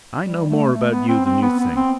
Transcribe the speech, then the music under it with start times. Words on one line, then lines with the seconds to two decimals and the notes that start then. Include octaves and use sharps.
I know more about you than you think.
0.24 G3
0.49 A3
0.74 A3
0.91 B3
1.08 C4
1.25 C4
1.42 B3
1.60 B3
1.76 C4